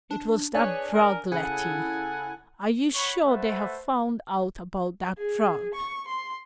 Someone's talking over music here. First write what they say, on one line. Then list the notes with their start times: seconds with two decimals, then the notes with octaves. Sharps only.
"It was that drug--Letty, are you sure they have found out about that drug?"
0.11 D4
0.55 D4 G#4 B4 C#5 G#5
0.94 A#4
1.32 C#3 E4 A4 F#5 G#5
2.94 C#5 F#5 B5 C#6
3.24 A3 B4 C5 E5 F#5 A5
5.18 G#4
5.75 C#6
6.09 C6